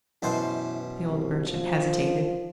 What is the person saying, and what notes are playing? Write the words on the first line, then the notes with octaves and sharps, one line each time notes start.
The old merchant hesitated.
F#2 B2 E3 C5
C2
F3